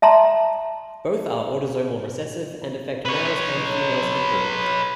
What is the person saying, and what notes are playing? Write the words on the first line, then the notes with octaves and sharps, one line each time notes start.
Both are autosomal recessive and affect males and females equally.
E5 A5 A#5 C6
B4 C#5